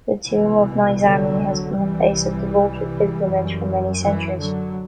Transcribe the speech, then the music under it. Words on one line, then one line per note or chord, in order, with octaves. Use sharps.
The tomb of Nizami has been a place of devoted pilgrimage for many centuries.
C2 B2 E3
D3 F#3
C2 C3 E3 G3
F#2
E3
D3 F#3